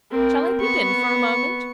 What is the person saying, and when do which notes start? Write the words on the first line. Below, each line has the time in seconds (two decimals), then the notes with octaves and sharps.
"Shall I peep in for a moment?"
0.11 C4 A#4
0.58 B3 C#6